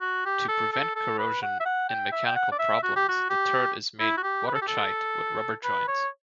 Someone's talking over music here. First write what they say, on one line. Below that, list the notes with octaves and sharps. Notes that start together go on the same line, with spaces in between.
To prevent corrosion and mechanical problems, the turret is made water-tight with rubber joints.
F#4
G4
A4
A4
A4
B4
F#5
E5
F#5
G5
E5
G5
F#5
D5
E5
F#4
G4
F#4
G4
E4
F#4
G4
B4
A4
G4
A4
B4
C#5